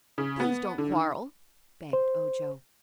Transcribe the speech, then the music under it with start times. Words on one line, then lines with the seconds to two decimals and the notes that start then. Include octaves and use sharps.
"Please don't quarrel," begged Ojo.
0.18 C#3
0.40 B3
0.78 D3
0.92 D#3
1.93 C5